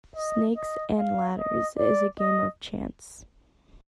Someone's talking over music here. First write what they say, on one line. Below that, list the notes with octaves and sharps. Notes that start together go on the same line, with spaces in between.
Snakes and ladders is a game of chance.
D#5
D#5
F5
D#5
D5
D#5